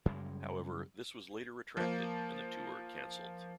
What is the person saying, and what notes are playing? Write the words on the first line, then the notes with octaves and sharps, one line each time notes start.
However, this was later retracted, and the tour cancelled.
F#2 C#3 G3 G#3
F3 A#3